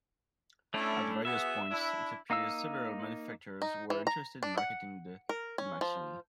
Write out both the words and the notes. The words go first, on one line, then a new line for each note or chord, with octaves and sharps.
At various points, it appeared several manufacturers were interested in marketing the Dymaxion.
A3 C#4 D4 E4
B3 F#4 G#4 E5
D4 E4
A#3 D#4 F5 E6
D#4
E3
A#5
D4
F#5
A#4
C#4
F3